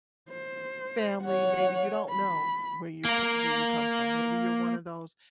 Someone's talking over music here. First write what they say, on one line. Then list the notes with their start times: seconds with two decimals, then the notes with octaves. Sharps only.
family, maybe you don't know where you c where you come from, maybe you're one of those
0.30 C5
1.21 C#5 F#5
2.09 B5
3.05 A#3 A#4